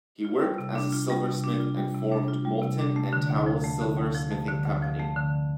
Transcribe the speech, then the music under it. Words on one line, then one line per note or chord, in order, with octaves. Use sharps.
He worked as a silversmith and formed "Moulton and Towle Silversmithing Company".
F4
G3
C3
D4
F4
G3
C3
D4
F4
G3
C3
D4
F4
G3
C3
D4
A3
D3
D2
F3
A3
D3
D2
F3
A3
D3
D2
F3
A3
D3